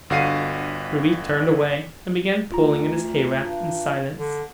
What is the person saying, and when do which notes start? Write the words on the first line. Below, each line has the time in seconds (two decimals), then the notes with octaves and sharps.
Ruby turned away, and began pulling at his hayrack in silence.
0.10 G1 D3 F#4 F5 C7 D#7
2.52 D2 F4 A#5
3.44 G2
4.19 D3